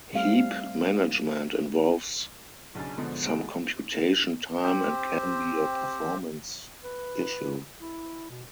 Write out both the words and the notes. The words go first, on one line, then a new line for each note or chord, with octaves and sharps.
Heap management involves some computation time and can be a performance issue.
G3 A3 C4 F5
B1 C#3 D4 G#5 A6
G#2 B2 D3 F3
C#2 G#3 A3 F#4 D7
C4 G4 C5
B4
E4
B2